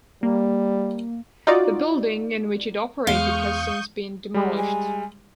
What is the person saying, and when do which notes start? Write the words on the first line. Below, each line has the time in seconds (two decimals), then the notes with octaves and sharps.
The building in which it operated has since been demolished.
0.23 G3 A#3
1.47 D#4 F4 F#4 D5
3.07 E2 G#3 F5 C#6 D#6 G6 G7
4.34 G3 G#3
4.57 G#5